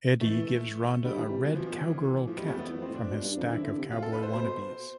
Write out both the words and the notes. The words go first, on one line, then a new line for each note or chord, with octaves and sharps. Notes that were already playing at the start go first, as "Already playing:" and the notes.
Eddie gives Rhonda a red cowgirl cat from his stack of cowboy wannabes.
E3 A3
D3 G3
E3
C3
B2 E3
F3
F3
E3
E3
A2 F3
F2 G3
A3
E2
B3
E2
F2
C4
A2
D4
B2
G2
F2
D3
E3 E4
D3
C3
F4
A4
B4
C5
B2 C5
B2